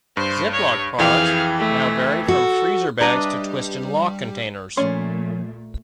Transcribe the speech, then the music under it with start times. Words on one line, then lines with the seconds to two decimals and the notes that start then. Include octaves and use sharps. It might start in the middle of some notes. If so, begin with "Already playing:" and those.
Ziploc products now vary from freezer bags to twist n' loc containers.
0.17 G2 C5
0.52 C#5
0.98 F2 E3 G#4 F5 G5
1.59 A3
2.28 F#4 A4
3.01 G3 D4 B4 D#5 E5 A#5
4.77 A#2 F3 A3 C#4 D5 C6